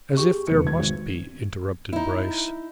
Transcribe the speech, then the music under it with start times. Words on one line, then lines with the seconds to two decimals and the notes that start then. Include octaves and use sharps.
"As if there must be!" interrupted Bryce.
0.17 G4 G#4 C#6
0.48 F1 E2 B4 C#7
0.64 E1 G#6
0.79 G#1
1.93 D#4 E4